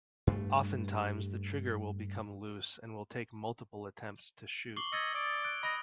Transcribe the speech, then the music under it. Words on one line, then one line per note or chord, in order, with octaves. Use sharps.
Oftentimes the trigger will become loose and will take multiple attempts to shoot.
G2 A3
C#6 D6 C7 F#7 G7
D#5 E6 G#6 A6 C#7
D5 D#6 D7
F#6 D7
D#5 B5 A#6